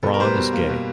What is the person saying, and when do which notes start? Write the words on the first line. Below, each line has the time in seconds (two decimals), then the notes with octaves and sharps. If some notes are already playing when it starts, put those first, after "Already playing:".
Braun is gay.
0.03 B2 A4
0.14 A#4
0.19 G3 C5
0.25 B4
0.35 B2
0.53 A#3
0.69 B2